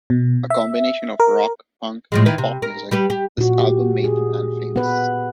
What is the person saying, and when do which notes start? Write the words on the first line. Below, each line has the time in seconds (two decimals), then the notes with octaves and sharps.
A combination of rock, punk and pop music, this album made the band famous.
0.10 B2
0.50 E5
1.20 A#4
2.12 A2 F3 G#3
2.26 D#3 E4 B4
2.38 C3
2.62 A#4
2.91 G3 G4 B4
3.10 G4
3.38 A#2 F#4
3.59 G4
4.04 G#4
4.76 B3 B4